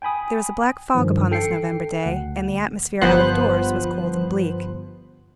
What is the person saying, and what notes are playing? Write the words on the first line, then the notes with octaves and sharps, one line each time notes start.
There was a black fog upon this November day, and the atmosphere out of doors was cold and bleak.
G5 G#5 B5 D#6
G2 D#3 F3
A4 G5 C7 C#7
D2 F#5
G1 F3 B3 B4 C5 F#6